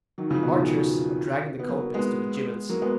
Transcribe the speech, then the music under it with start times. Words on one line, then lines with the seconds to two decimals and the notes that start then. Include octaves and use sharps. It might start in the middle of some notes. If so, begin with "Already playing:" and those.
The archers are dragging the culprits to the gibbets.
0.18 D#3 F#3
0.31 C#3 F3
0.43 B2 D#3
0.55 C#3 F3
0.68 D#3 F#3
1.59 B3
1.68 F#3 A#3
1.94 G#3 B3
2.69 F#3 A#3
2.82 G#3 B3